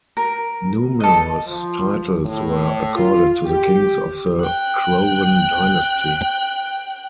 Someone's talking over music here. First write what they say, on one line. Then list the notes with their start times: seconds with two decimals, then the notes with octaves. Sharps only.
Numerous titles were accorded to the kings of the Crovan dynasty.
0.17 A#4
1.00 A4 D#5
1.45 F3
2.24 A2
2.96 F4
3.45 G4
4.42 G5 F#6